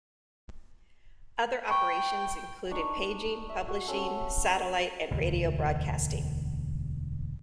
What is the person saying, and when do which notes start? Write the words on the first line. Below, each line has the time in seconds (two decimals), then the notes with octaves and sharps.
Other operations included paging, publishing, satellite, and radio broadcasting.
1.68 G5 B5 C#6
2.71 D4 D#4 C#6
3.49 E5
3.68 F#4
3.87 C4 C#4 A4 F#5
5.11 E1 D2